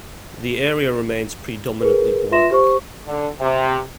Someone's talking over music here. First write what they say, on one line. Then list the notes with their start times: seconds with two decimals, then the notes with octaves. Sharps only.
The area remains predominantly black.
1.81 G#4 A#4 B4
2.32 F4 B4 E5 C6 A#6 E7
2.51 G4 C5 C#6
3.07 D3
3.40 C3